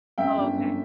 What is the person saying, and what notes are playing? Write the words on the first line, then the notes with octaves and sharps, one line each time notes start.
Oh, okay.
F#2 E5 G5
G1
G1